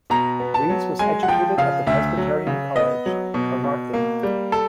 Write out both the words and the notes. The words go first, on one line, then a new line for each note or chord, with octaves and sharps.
Rees was educated at the Presbyterian College, Carmarthen.
B2 A#5
B3
A5
F#3
G#3 G#5
F#5
F3 G5
C#3 F5
D2 E5
F#3
C#3
B3 D#5
F#3
B2
B2
A#3
G3
A4